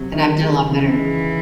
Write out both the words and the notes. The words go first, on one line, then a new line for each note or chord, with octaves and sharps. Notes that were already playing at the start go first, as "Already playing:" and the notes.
and I've done a lot better.
Already playing: C3 F#3
D#3
G#3
C#3 E3
G#3